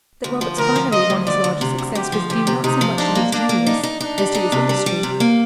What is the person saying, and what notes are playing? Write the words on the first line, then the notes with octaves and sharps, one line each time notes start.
That Roberts finally won his larger success was due not so much to his genius as to his industry.
D2
F3
D2 A#4
F3
F3 D#5
D2
D2 D5
D2
C3
D2
D2 G4
F3
D2 G4
C3
C3 D#4
F3
D4 D#4
A#3
A#3 D4
A#3
D4 D#4
D#4
D4 D#4
G3
D#4
C3
G3
G3
C3
A#3